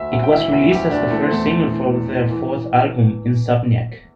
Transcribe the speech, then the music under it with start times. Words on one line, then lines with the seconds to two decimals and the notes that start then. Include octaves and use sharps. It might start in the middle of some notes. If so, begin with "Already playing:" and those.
It was released as the first single from their fourth album, "Insomniac".
Already playing: D2 E5
0.12 D2 E5
0.23 G5
0.32 E3 E5
0.52 D2 E5
0.72 D2 G4
0.91 D2 D4
1.11 E3 A3
1.21 C4
1.31 E2 A3
1.51 E3
1.70 E3
1.91 E2
2.10 E3
2.30 E3